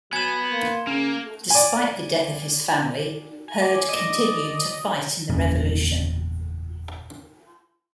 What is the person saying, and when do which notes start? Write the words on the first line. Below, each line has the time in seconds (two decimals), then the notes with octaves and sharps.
Despite the death of his family Heard continued to fight in the revolution.
0.13 F#3 B3 G#5 G#6 E7
0.51 A#3 C6
0.87 C#3 A#3 C#4
1.50 D5 G#5
3.48 G#5
3.62 D5
3.89 D#5
5.29 F#1 E2 A#2 C#4